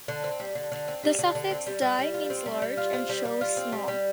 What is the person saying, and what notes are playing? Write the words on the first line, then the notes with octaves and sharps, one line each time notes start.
The suffix -"dai" means "large" and -"sho" "small".
D3
C4
G3
D3
D3
C4
G3
D3
D3
C4
G3
G3
G3
F4
C4
G3
G3
F4
C4
G3
G3
F4
C4
G3
G3